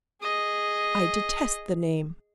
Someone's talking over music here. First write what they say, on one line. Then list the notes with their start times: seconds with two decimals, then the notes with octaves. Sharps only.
I detest the name!
0.22 G#4 D#5